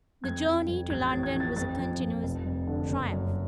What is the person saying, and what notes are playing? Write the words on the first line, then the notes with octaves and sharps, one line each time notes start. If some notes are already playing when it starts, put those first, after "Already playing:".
The journey to London was a continued triumph.
F2 G#6
F3
F2
A1 G#6
A6
A2
G#6
F3
A6
F2 A6
F3
F2
F1
F2
D3
F#1
F#2